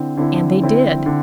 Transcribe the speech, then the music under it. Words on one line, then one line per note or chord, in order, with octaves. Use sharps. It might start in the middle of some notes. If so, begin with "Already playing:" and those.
And they did.
Already playing: D3 C4 E4
D3 C4 E4
D3 C4 E4
D3